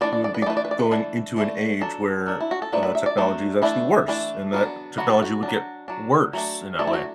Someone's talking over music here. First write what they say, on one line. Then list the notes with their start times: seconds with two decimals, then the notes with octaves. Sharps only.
we would be going into an age where, uh, technology is actually worse and that technology would get worse in that way.
0.01 E3 A3 D4 D5
0.13 D5
0.24 D5
0.34 B4
0.42 D5
0.46 E3 A3 D4 B4
0.57 D5
0.65 B4
0.71 D5
0.79 B4
0.91 E3 A3 D4 A4
1.37 E3 A3 D4
1.81 F#3 D4 A4
2.26 F#3 D4
2.40 E4
2.51 F#4
2.62 A4
2.72 F#3 A3 D4 B4
2.83 B4
2.95 E5
3.06 D5
3.17 F#3 A3 D4
3.62 E3 A3 D4 E4
4.08 E3 A3 D4
4.53 F#3 B3 D4
4.97 F#3 B3 D4 F#4
5.10 A4
5.22 F#4
5.43 D4
5.48 F#3
5.88 F#3 D4
6.33 F#3 A3 D4
6.79 F#3 A3 D4 A4
6.87 E4
6.93 F#4